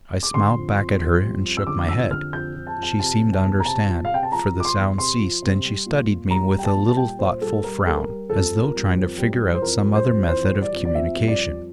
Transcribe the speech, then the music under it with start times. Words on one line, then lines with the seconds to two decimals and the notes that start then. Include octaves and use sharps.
I smiled back at her and shook my head. She seemed to understand, for the sound ceased, and she studied me with a little thoughtful frown, as though trying to figure out some other method of communication.
0.23 D6
0.34 D3 C6
0.56 F2
0.78 F2
1.00 F2
1.23 G3
1.45 F2
1.57 E6
1.67 D3 D6
1.89 F2 E6
2.11 D3 F6
2.33 F2 G6
2.55 F2
2.67 A5
2.78 F2
2.83 A5
2.99 C3 A5
3.22 C3
3.33 A5
3.44 E2
3.60 A#5
3.65 C3 A5
3.88 F3
4.05 F5
4.10 C3 G5
4.23 A5
4.32 F3 A#5
4.54 F3
4.60 D6
4.65 C6
4.76 E2
4.98 C3 C6
5.20 F3
5.42 C3
5.65 G3
5.86 A#2
6.08 A#2
6.31 G3 A#5
6.53 G3
6.59 G5
6.64 A5
6.75 A#2
6.88 A5
6.97 G3 G5
7.19 A#2 C5
7.42 G3 A4
7.64 G3 A#4
7.85 G3 A4
7.97 A#4
8.08 G3
8.29 F2 A4
8.52 F2
8.63 A#4
8.74 G3
8.95 F2
9.18 G3
9.40 E3
9.54 C5
9.62 F2 A#4
9.85 G3
9.96 C5
10.07 F2
10.28 E3 C5
10.50 G3
10.62 D5
10.73 F2
10.85 D5
10.95 F2 E5
11.17 G3
11.28 D5
11.39 F2